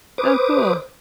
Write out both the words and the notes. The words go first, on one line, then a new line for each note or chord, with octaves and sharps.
Oh, cool.
B4 C5 D6 D#6